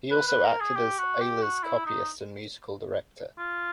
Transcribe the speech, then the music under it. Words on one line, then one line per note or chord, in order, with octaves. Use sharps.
He also acted as Ayler's copyist and musical director.
B4
B4
A#4
G#4
G4
F#4
G4
F#4
E4
D#4
F4